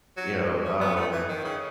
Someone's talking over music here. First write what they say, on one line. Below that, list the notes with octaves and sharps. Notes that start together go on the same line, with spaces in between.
you know, um
F#3
C#4
B3
A3
E3
D#3
C#3